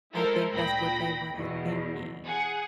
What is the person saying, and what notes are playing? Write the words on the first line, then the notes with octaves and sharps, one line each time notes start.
I think that's what they were thinking.
G#3 E4 A4 A#4 C5
D2 A#2 G5 B5 A#6
E2 B2
G#4 F#5